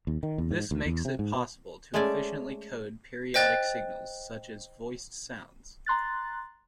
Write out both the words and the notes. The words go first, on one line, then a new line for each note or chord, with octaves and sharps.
This makes it possible to efficiently code periodic signals, such as voiced sounds.
D#2
D#3
E2
G#2
D2
E2
C3
G#2
B2
G#3 A3 C#4 D5 G#5
C5 D#5 G5 F#6 A6
A#5 C6 F#6 A6